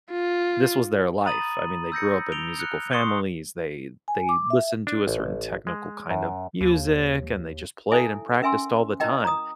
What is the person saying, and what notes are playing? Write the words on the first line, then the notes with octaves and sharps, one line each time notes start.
this was their life, I mean, they grew up in musical families, they they listened to a certain technical kind of music, and they just played and practiced all the time.
F4
A#5 B5 D#6 A6 D#7 F#7
E6 G6 A#6 C#7
D7 F7 G7
F6 F#6 C#7
C6 C#6 D#6 C7 C#7 G7
G#5
D6
E5
D4
A1
G#3
F#2
D#2
D#4 E4 A4 E5 G#5
C#4 A#4 E5 G#5 C6 E6
E4 A#4 D#5 G5
A#5 D#6